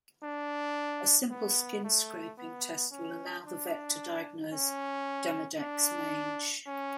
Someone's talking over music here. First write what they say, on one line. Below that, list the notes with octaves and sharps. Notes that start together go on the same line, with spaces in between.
A simple skin scraping test will allow the vet to diagnose demodex mange.
D4
B3
A3
B3
C#4
D4
C#4
D4
C#4